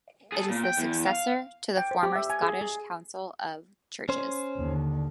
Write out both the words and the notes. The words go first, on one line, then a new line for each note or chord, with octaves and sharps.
It is the successor to the former Scottish Council of Churches.
G#4 A4
A#2
G5
E2
F5
G5
C5
G4
E5
G#5
G#4
G#4
C#4 C5
D#2 D3